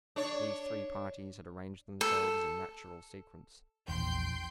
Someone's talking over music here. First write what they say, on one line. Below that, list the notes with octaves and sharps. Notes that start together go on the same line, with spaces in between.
These three parties had arranged themselves in natural sequence.
D4 C#5
A4
A#1 E2 G5 C6 G6